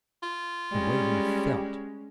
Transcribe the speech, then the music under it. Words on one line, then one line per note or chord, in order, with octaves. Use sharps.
The way he felt.
F4
G3 G#3 C#4